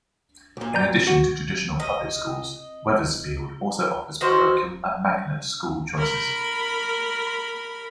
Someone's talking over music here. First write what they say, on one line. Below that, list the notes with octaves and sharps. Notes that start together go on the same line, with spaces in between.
In addition to traditional public schools, Wethersfield also offers parochial and magnet school choices.
B1 A#2
D5 A#5 G6
F#4
D#5
D#3 F#4 C5
A#4 B5